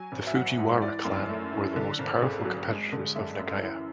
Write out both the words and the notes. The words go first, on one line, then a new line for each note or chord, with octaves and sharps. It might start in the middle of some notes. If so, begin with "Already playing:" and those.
The Fujiwara clan were the most powerful competitors of Nagaya.
Already playing: F#3 G#5
G#1
E5
F#3 F#5
G#2
E3 D5
F#2
A3
E3
D3
G#1
G#1 G#4
F#3
G#3
D3
F#2 E5
F#2
E3